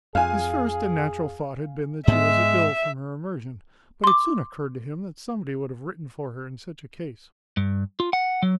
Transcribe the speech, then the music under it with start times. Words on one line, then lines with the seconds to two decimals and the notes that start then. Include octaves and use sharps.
His first and natural thought had been that she was ill from her immersion; but it soon occurred to him that somebody would have written for her in such a case.
0.15 F2 G#4 F5 G#5
2.08 G#2 G#3 B3 E5
4.04 C6 D6
7.57 G2
8.00 F4
8.13 F#5
8.43 F#3